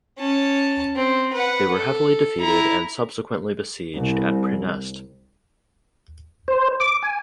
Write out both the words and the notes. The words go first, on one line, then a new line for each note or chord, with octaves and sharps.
They were heavily defeated and subsequently besieged at Praeneste.
C#4 A5
C4
B4 F#5
A4
E4 A#5
C2
C5
D6
G#5